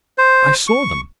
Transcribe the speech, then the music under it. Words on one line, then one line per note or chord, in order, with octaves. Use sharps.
"I saw them."
C5
C#6